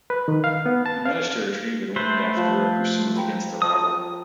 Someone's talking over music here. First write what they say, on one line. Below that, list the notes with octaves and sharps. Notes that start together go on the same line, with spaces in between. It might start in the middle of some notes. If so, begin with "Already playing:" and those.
He managed to retrieve it only after a pursuit against the robber.
B4
D#3
F5
B3
A5
F5
A3 B4 C5
F3
G5 A#5 B5
A5 D#6